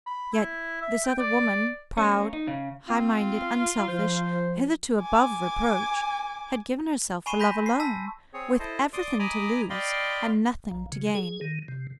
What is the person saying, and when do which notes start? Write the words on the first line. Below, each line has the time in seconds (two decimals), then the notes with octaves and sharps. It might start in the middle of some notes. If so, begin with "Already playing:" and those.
Yet this other woman, proud, high-minded, unselfish, hitherto above reproach, had given herself for love alone--with everything to lose and nothing to gain.
0.07 B5
0.33 E4
0.82 E5
1.05 G5
1.18 D5
1.97 A#3 C#4
2.33 D#4
2.47 C#3
2.88 C4 F4
3.88 F3 C5
5.02 G#5 D6
7.26 G#5 B5 C#6 C7 D#7 E7
7.40 B5 C6 G6 A#6 B6 D#7
7.66 C7
7.80 A5 E6 B6
8.33 C4 G#4 C#5
8.59 E4 A4 C5 D#5
8.93 D5 C6 D6 D#6
9.19 D#5 G#5 A#5 B5 D6 D#6
9.70 D5 D#5 F5 G5 B5 C6
10.71 A#1
10.92 C#3
11.15 G#4
11.41 D#3
11.68 C3